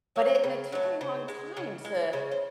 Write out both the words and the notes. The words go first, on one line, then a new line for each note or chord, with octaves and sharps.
but it and it took a long time to,
F#3 A3
C#3
F#3 A3
C#3 C5
G#3
C#3
G#3
C#3 C5
C5